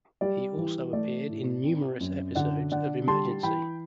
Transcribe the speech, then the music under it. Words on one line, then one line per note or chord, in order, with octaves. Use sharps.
He also appeared in numerous episodes of Emergency!
G3 D5
E3
A3 D5
A2
C4
F#2
D3 D5 F#5
D3 D5 F#5
G3 A5 C6
E3 G5 B5